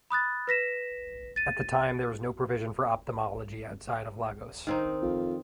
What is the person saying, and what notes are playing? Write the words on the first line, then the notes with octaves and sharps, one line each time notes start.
At the time there was no provision for ophthalmology outside of Lagos.
B5 D#6 F#6 A6
B4 A#6 B6 E7
A6 D#7
D#3 C4 D#4
F2